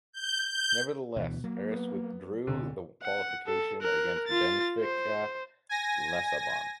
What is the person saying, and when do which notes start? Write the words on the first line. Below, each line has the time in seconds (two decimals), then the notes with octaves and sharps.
Nevertheless, Aris withdrew in the qualification against Benfica Lissabon.
0.12 G6
0.48 G6
1.16 D2 B2 E3
1.44 F#3 A#3
1.72 B3
2.47 D1 B2 D3
3.03 F#5
3.47 A4
3.82 A#4 F#6
4.27 F4 A6
4.80 C5
5.69 G#5 A#6